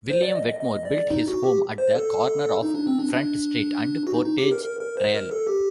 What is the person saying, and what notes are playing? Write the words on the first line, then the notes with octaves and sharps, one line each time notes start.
William Wetmore built his home at the corner of Front Street and Portage Trail.
C5
D5
D#5
D#5
D#5
D5
D#4
F#4
G4
C5
A4
D#4
D4
C4
D4
D4
F#4
D#4
D#4
G4
A#4
A#4
A#4
C5
A#4
A4
G4